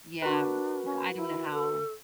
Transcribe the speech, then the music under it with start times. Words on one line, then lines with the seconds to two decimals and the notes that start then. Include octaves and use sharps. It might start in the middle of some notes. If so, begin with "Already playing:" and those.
Yeah m I don't know how
0.22 D4 F#4 A#4 B4
0.85 C#4
1.16 E4
1.52 A4